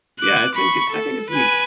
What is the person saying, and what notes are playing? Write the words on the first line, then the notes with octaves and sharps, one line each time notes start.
Yeah, I think it I think it's really
D6 F#6
B5 C#6
A4
B4 G#5